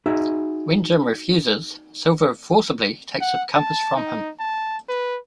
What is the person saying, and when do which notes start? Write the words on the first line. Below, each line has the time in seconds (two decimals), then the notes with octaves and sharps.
When Jim refuses, Silver forcibly takes the compass from him.
0.06 D#4 F#4 G#4 E5
3.21 F#5
3.55 A5
3.96 D#4
4.39 A5
4.89 B4